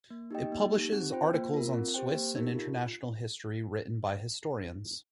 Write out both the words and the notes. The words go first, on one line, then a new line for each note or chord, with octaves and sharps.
It publishes articles on Swiss and international history written by historians.
A#3
D#4 G4 D#5 G5
A#3
D#4 G4
C4
F4 C5 G5
A#3
F4 A#4
C4
G4 C5 G5
A#3
D#4 G4 A#4
F4